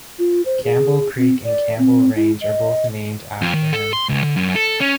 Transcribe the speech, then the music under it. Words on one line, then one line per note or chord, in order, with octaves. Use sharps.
Campbell Creek and Campbell Range are both named after him.
F4
C5
G#4
C4
D5
C4
E4
D#5
F2
D#3
A4
C6
C#2
D3
F#2
A4
C#4